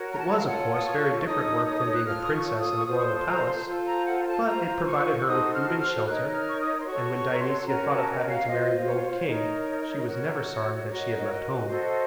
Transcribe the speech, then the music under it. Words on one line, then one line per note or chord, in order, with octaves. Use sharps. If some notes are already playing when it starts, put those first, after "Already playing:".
It was, of course, very different work from being a princess in a royal palace but it provided her with food and shelter, and when Dionysia thought of having to marry the old king she was never sorry that she had left home.
Already playing: F#4 A#4 C#5
A#5
A5
F5
F4 A4 C#5 F#5
D#6
C#6
C#6
D#4 A4 C#5 D#6
D#6
F#6
F4 A4 C#5 F6
D#6
C#6
D#6
C#6
F4 A4 C5 D#6
C#6
C6
C6
A#5
C6
F4 A4 C5
A#5
F#5
A#5
A5
F4 C5 A#5
C#6
D#4 F#4 A4 C5 D#6
F6
F6
D#4 A#4 C#5 F#6
F6
C#6
D#6
C6
F#4 A4 C#5 C#6
C#6
A#5
C6
C#4 F#4 A#4 C#5 A#5
A5
D#5
F5
F4 C5 D#5
C#5
D#4 A#4 C#5
F#4 A#4 C#5
F#4 A#4 C#5 D#5
C#5
D#5
F#4 A4 C5